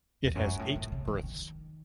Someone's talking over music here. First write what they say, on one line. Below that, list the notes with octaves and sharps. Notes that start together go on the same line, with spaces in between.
It has eight berths.
E2
F#2
G#2
A2
A2
C#3
D#3
D#3